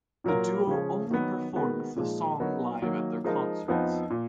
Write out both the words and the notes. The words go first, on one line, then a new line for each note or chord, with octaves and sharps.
The duo only performed the song live at their concerts.
A#2 F#3 A#3 F4 A#4
C#3 F3 G#3 C#4 G#4
D#3 F#3 B3
D#3 G#3 B3 F#4 A#4
A#2 F3 G#3 D#4
F#3 B3 D#4 A#4 C#5
D#3 F#3 A#3
F3 G#3 D#4 A#4 D#5
F2 F3 B3 D#4
A#2